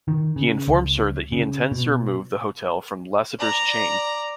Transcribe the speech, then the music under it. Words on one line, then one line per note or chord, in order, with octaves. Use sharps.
He informs her that he intends to remove the hotel from Lassiter's chain.
D#3
C#3
C#2
C#3
B2
D5 A#5